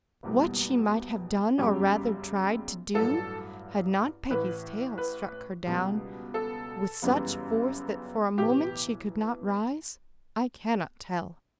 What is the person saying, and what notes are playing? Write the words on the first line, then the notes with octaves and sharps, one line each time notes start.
What she might have done, or rather tried to do, had not Peggy's tail struck her down with such force that for a moment she could not rise, I cannot tell.
F#1 E2 B2 G3
G1 F#2 C#3 G3 G4
A1 G2 F#3 A4
A1 A2 E3 B4
B4
C#2 B2 G3
A4
G1 F#2 C#3 E3 G3
B1 A2 E3 G4